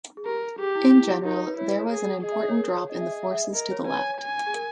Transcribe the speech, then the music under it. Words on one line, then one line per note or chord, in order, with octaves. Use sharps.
In general, there was an important drop in the forces to the left.
G#4
G4 A#4
G4 G#4
E4
E4
E4
G4
D#4 A#4
C#5
B4
E4 C#5
B4
C#5
G#4
G#4 D#5
E5
D#5
C#5
A#4
C#5
G#4 D#5
E5
D#5
E5
E5
D#5
A#4 D#5
C#5
B4 G#5
C#5
G#5
G#4
A#4